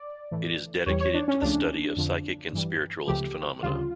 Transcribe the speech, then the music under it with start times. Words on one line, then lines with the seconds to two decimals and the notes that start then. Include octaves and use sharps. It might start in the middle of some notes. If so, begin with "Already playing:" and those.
It is dedicated to the study of psychic and spiritualist phenomena.
Already playing: D5
0.31 A2 E3 A3
0.86 E2 E3 G3 C#5
1.00 C#5
1.14 D4
1.28 C#4
1.41 C#2 C#3 F3 A3 D4
1.97 F2 D3 F3
2.53 G2 E3 G3
3.08 C#2 C#3 F3 A3 G4
3.63 D2 C#3 G3 F4